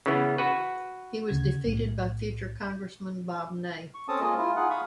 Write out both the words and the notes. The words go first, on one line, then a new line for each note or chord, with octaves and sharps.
He was defeated by future Congressman Bob Ney.
C#3 E3 B3
F#4 B4
D2 C#3 G#6
B1 A2
C#6
C4 C#4 A4 A5 D#6
G#3 A#3 F4 D#5
E4 F4
D#4 F4 G#4 F#5
F5 B5 C#6 D#6